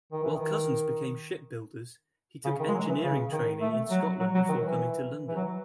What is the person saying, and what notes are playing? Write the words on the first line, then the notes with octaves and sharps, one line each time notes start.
While cousins became shipbuilders, he took engineering training in Scotland before coming to London.
D#3
E3
D#3
C#3
D#3
G#3
F#3
E3
C#3
D#3
A3
F#3
F#3
F#3
D#3
E3
E3
F#3